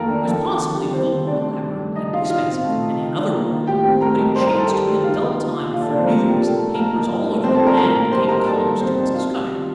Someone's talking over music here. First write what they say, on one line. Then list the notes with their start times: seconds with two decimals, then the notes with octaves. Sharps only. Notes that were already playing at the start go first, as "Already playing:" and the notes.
It was possibly little more elaborate and expensive than many another ball, but it chanced to be a dull time for news and the papers all over the land gave columns to its discussion.
Already playing: F2 D#3 A3 A#3 A4 A#4
0.08 D4
0.25 F2 A4
0.42 D#3
0.60 C3
0.76 G3
0.93 D#3 C4 C5
1.11 C4
1.27 A3 D4 D5
1.45 D#3
1.62 G2
1.79 A3
1.95 F3 D#4 D#5
2.13 D#4 F4 F5
2.30 D#3 F4 F5
2.48 C4
2.64 A3
2.82 D#4
2.99 D#3
3.15 D4
3.33 A#3
3.51 D#3
3.67 A2 G4 G5
3.84 C4
4.01 A3 A#4 A#5
4.18 D#4
4.35 G2 C5 C6
4.47 A#4 A#5
4.53 G3
4.58 A4 A5
4.69 D#3 G4 G5
4.87 D4
5.03 D#3 F4 F5
5.21 D#4
5.38 A#3
5.56 D#3
5.72 A#2 F4 F5
5.80 A4 A5
5.89 A#3 D4 D5
5.98 C4 C5
6.06 F3 A#3 A#4
6.19 G4
6.23 A#2
6.30 G4
6.40 A#2 A4
6.59 A3
6.75 F3 A#3 A#4
6.92 D#4
7.09 G2
7.26 A3
7.43 F3 C4 C5
7.54 A4 A5
7.61 D4
7.66 A#4 A#5
7.77 A2 A#4 A#5
7.95 A#3
8.11 G3 C5 C6
8.29 D#4 A#4 A#5
8.46 G2 A4 A5
8.63 A#3
8.80 F3 C4 C5
8.97 D#4
9.14 C3 F4 F5
9.31 G3
9.49 D#3